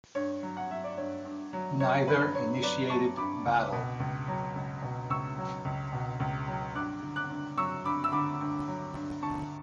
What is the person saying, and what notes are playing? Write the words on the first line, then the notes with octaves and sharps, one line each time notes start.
Neither initiated battle.
G2 C#5
F#3
F#5
F#3 E5
D5
G2 C#5
G2
F#3
F#3 C#5
G2 B4
G2 C#5
F#3 B4 D5
F#3 A5 C#6
G2 B5 D6
C#2
B2
C#2
F#3
C#2
B2
C#2 C#6 E6
F#3
C#2
B2
C#2
F#3
G2 D6 F#6
D3
D6 F#6
G2
F#3 C#6 E6
G2 B5 D6
E6
D3 B5 D6
G2
F#3
G2
D3 A5 C#6